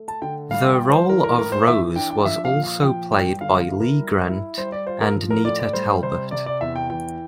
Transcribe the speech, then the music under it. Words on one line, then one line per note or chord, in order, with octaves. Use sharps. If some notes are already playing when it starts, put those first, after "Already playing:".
The role of Rose was also played by Lee Grant and Nita Talbot.
Already playing: A3
A5
D3 G5
G3 F5
G5
F4
C5
E3 A#4
A#4
A2 A#4
C5
E3 E5
D4 G5
G5
F3 E5
F5
A#2
F5
F3 G5
G2 G5
D3 F5
F5
E4
A#4
G3
E4
G3 C5
D5
F4 C5
A#4
F3
A#4
A2 D5
D5
G3 C5
C3 C5
C3 D5
D5
E2 E5
G5
E3 G5